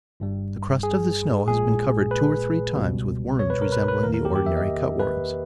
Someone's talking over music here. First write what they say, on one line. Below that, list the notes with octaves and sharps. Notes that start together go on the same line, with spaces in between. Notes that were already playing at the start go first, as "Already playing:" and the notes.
The crust of the snow has been covered two or three times with worms resembling the ordinary cut worms.
G1 G2 G3
G#4
A#1 A#2 G#3 G#4
B4
C#2 B2 G3
C#5
B4
A#4
B4
B4
E2 D#3 A#3 A#4
A#4
G4
G4
E5
D#5
B4